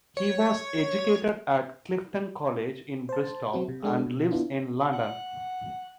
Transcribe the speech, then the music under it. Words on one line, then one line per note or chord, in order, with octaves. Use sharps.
He was educated at Clifton College in Bristol and lives in London.
C#5
C5 A5
F#3 C4 F#4
C3
G#3 D4 A4
B2
B3 D4 E4 F4
F#5